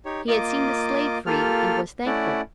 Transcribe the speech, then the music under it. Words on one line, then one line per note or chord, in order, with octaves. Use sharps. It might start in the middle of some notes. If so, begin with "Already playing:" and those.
She had seen the slave freed, and was thankful.
D#4 G4 C#5
A#3 F4 D#5 D6
A#3 F4 G4 A4 F6
A3 C#4 E4 D5 F#5